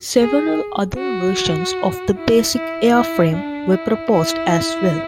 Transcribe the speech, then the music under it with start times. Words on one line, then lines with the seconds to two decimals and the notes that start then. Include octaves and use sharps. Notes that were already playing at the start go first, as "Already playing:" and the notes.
Several other versions of the basic airframe were proposed as well.
0.20 G#4
0.98 F#4
2.16 E4
2.55 E4
2.95 E4
3.34 D4
3.72 E4
4.12 E4